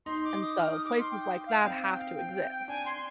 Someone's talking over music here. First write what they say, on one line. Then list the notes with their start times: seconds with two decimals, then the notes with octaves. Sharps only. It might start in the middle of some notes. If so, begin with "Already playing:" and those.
and so places like that have to exist.
0.06 D#4 C6
0.24 D6
0.42 D#6
0.59 D#4 F6
0.71 D#6
0.85 D6
0.98 C6
1.11 G5
1.46 F5
1.64 C4 G5
1.81 G5
1.98 F5
2.16 G5
2.33 G5
2.51 G5
2.68 D4 G#5
2.85 C6